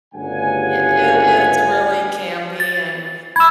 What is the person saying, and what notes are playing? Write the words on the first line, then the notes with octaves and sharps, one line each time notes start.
y it it's really campy, and
G1 D2 G2 C#3 F#5 G#5
A6
B5 E6 G#6 E7